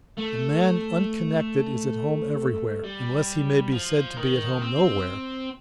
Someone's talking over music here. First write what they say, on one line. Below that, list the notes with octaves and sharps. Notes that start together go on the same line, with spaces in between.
A man unconnected is at home every where; unless he may be said to be at home no where.
A3
G3
F3
D#3
C4